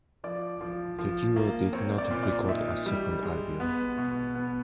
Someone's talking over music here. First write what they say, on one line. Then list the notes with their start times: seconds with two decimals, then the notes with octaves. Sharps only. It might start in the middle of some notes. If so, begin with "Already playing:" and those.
The duo did not record a second album.
0.24 F3 D5
0.61 F3
0.98 F3
1.36 A#3
1.73 C4 C#5
1.98 D5
2.10 A#2
2.23 D5
2.49 D#4 E5
2.86 G3
3.23 G#3
3.60 B3
3.98 B2
4.35 B3